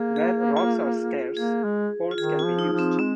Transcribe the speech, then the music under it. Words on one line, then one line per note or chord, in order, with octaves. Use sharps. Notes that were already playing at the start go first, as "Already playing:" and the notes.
Where rocks are scarce poles can be used.
Already playing: A#3 G#4
G#4
F4
A#3 G#4
G#3
F4
D#3 G#4
F4
F3
D#4
F3
C4
G#3 C4